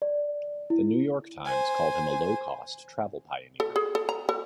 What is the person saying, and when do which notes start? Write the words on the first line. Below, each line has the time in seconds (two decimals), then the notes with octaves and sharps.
The New York Times called him a low-cost travel pioneer.
0.02 D5
0.70 E4
1.45 C5 G#5
3.60 A4
3.76 G#4
3.95 A4
4.09 A#5
4.29 A4